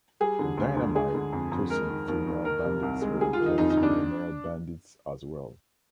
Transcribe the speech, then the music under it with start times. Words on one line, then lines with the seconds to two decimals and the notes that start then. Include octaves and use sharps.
The dynamite-tossing female bandits were replaced with male bandits as well.
0.20 G3 G#4
0.39 D3
0.57 D2
0.76 D2
0.95 G#3 G#4
1.15 D3
1.33 F2
1.51 F2
1.70 G#3 A#4
1.89 D#3
2.08 D#2
2.27 D#2
2.45 D#3 A#4
2.65 C3
2.82 C2
3.01 G#3
3.20 G3 G#4
3.33 F4
3.40 D#3
3.46 D#4
3.58 F2 D#4
3.70 D#4
3.77 F2
3.83 D4